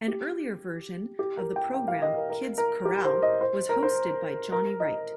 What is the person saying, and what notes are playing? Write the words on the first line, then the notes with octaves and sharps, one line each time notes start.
An earlier version of the program, "Kids Korral", was hosted by Johnny Wright.
G4
G4
A#4
G5
G5
F5
D#5
A#4
A#4
A#4
G4
C5
D#5
C5
A#4
C5
A#4
D#5